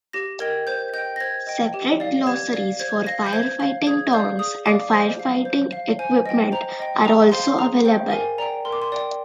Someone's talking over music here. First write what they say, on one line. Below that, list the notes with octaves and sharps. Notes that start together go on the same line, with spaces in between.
Separate glossaries for firefighting terms and firefighting equipment are also available.
G4 A#6
A#4 D#5 G5 G#6
C5 G6
D#5 G5 G6
A#6
C5 G#6
D#5 G5
G4
D5 F5
G4 G#6
D5 F5
C5 G#6
F5 A#6
G6
C5 G#6
F5
G#4 G#6
D5 F5 G6
G#4 D#6
D5 F5 D6
C5
F5
C5
F5
C5 G#5
D#5 G5
C5 A#5
D#5 G5
G#4 A#5
C5 F5 C6
G#4 A#5
C5 F5 G5
A#4 G#5
D5 G5 A#5
A#4 C6
D6
C6
D5 G5